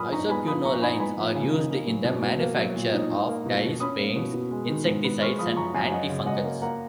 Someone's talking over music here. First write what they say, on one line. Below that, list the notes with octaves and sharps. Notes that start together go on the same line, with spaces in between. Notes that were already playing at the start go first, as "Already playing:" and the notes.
Isoquinolines are used in the manufacture of dyes, paints, insecticides and antifungals.
Already playing: A#2 F#3 A#3 G#5 B5 D#6 F6
D#4 A#5 C#6
B3 G#5 B5
F3 B5 D#6
A#2 A#5 C#6
D#4 G#5 B5
B3 G#5 B5
F3
C#3
D#4
A#3
F#3
B2
B2
A#3
F#3
A#2
D#4
D#4
A#3
B2
B2
C#4 B5 D#6
A#3
B2
B2
G#3
D#3
G#2
B3
G#3 C#6 F6
F3 B5 D#6
F#2 A#5 C#6
F#2 F5 G#5
F#3 D#5 F#5
C#3
F#2 D#5 F#5
A#3
A#3 F#5 A#5